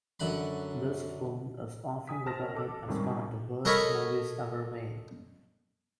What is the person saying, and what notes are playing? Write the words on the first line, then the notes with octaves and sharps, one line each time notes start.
This film is often regarded as one of the worst movies ever made.
F#2 D3 F#5 B5
G#5 D#6 B6
C5 A5 F6 A#6
A#3 C#4 A#4
A4 D6 E6
A1 D#2 G#2 C3 D#3 G3
A4 A#4 C#5 D#5 A#5 B5